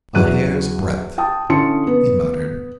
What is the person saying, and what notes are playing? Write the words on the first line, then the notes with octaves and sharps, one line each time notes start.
"A hair's-breadth," he muttered.
E2 F#3 F#6 D#7
G5 A5 D#6
D3 C#4 E4 A5 C6 C#7
B3